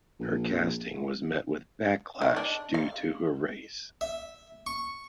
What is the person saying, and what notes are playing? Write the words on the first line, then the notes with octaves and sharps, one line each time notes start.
Her casting was met with backlash due to her race.
A#1
D#3
D4
F5
E5
C#6